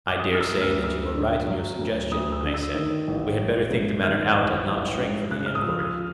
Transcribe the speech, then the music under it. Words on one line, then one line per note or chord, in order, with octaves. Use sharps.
I dare say that you are right in your suggestion, I said; we had better think the matter out, and not shrink from the enquiry.
D6
F#3 D#6
F6
E6
D2
F6
D2 E6
D3
F#3
D2
D2 D#6
E6
D3
E6
D#3
A1
A1
G#2
D#3 F6
A1
A1
G#2
C#3 F#6
F6
D#6
F3 E6
F6